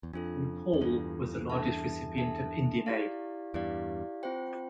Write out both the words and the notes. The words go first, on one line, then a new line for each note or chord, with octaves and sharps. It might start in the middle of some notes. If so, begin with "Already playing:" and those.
Nepal was the largest recipient of Indian aid.
E2
F2 D4 F4 A4
F2
E2 G2 D4 F4 A4
D4 A4 E5 A5
D4 A4 E5 A5
E4 G4 D5 F5
E2 G2 E4 G4 D5 F5
C4 F4 C5 G5